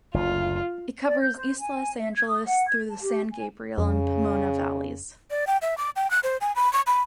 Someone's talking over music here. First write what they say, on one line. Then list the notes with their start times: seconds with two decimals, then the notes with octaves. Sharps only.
It covers East Los Angeles through the San Gabriel and Pomona valleys.
0.14 F#1 D2 F4
1.04 D5
1.20 G6
1.36 C5
1.59 G#5
1.99 E5
2.14 G#6
2.27 D#6
2.46 F#5
2.68 G#6
2.89 A5
3.02 G4
3.32 G#5
3.78 F2 C#3
5.31 D5
5.47 G5
5.62 E5
5.78 D6
5.96 G5
6.11 F#6
6.23 C5
6.41 G#5
6.56 B5
6.73 C#6
6.87 B5